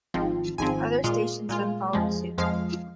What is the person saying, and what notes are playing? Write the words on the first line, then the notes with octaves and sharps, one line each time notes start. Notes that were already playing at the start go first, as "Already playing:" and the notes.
Other stations then followed suit.
G#1 G#2 F3 C4
G#1 G#2 F3 C4 G#5
A#2 G#3 F4
A#2 G#3 F4
F2 F3 G#3
F2 F3 G#3 F5